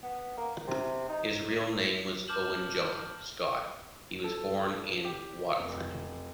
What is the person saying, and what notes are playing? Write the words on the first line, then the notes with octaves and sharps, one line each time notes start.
His real name was Owen john Scott, he was born in Watford.
B3
A#3
C3
D#4
A5 D6 F6 G6 E7 F#7
A4
G4
F1